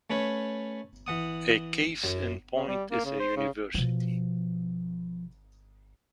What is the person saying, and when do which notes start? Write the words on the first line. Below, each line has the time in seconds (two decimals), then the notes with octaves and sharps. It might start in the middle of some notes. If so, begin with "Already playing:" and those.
A case in point is a university.
0.10 A3 C#4 B4 C#5
1.07 E3 F#5 D#6
2.04 F#2
2.56 C#3
2.68 G3
2.91 A#3
3.05 C#3
3.20 C5
3.37 C#3
3.74 B2 F3